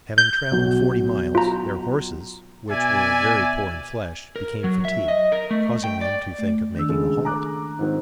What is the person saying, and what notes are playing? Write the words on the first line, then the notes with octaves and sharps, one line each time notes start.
Having traveled forty miles, their horses, which were very poor in flesh, became fatigued, causing them to think of making a halt.
G6
B1 F#3
F4 A#5
B2 D5 E5 G#5
A#4
F#3
E5
D#5
A#4
A3
G5
D5
A3
D#3 D4 E6
C#3 G#3 A4
A#5 D6 F#6
G#2 D#3 C4 C5